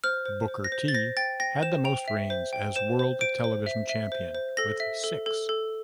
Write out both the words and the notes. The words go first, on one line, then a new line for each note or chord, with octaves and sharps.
Booker T had the most reigns as World Television Champion, with six.
C5 F6
C5
C5
A#6
C5
A6
C5 A#6
G5 A6
G5 A#6
C5 E7
G5 F7
E5
C5
G5
C5 E7
C5
C5 D7
C5
E5
E5
C5
C5
A4 A#6
E5
A4
A4
A4